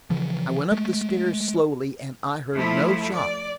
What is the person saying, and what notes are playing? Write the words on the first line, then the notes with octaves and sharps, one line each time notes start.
I went up the stairs, slowly, and I heard no shot.
C#3 E3 F3
G#3 A3
F3 A3 E4
D5